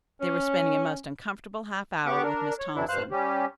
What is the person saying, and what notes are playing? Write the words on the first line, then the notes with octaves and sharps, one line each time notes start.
They were spending a most uncomfortable half hour with Miss Thompson.
C#4
B3 G4 F#5 C#6 D6
D4 A#4
C#5
F2 E3 F#3 D4 E4
G2 C5 F5 F#6
G3 C#4 G4